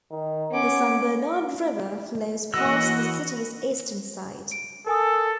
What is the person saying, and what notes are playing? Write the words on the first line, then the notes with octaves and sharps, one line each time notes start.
The San Bernard River flows past the city's eastern side.
D#3
B3 C#4 D6
E3 A#3 F#4 D#5 F#5 E6 A#6
D7
A4 A#4 G#5 D#6